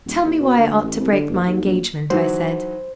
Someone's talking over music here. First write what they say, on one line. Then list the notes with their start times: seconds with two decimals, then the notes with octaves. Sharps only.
"Tell me why I ought to break my engagement," I said.
0.06 D#1
0.25 D#2
0.40 B2
0.58 D2
0.84 A1
1.00 C2
1.12 D3
1.29 F#1
1.46 D#2
1.64 A#1
2.10 D#3 E3 F#3 C5